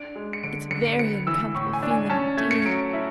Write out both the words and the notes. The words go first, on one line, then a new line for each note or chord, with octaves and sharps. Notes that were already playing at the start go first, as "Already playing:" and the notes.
It's very uncomfortable feeling indeed.
Already playing: D4 D7
G#3
C#7
D3 D7
D3 C#7
D7
B3 C#7
E3 E6
A2 C#6
G#5
D4
G#5
C#4 A5
A3 G#6
C#7
F#3 D7
E4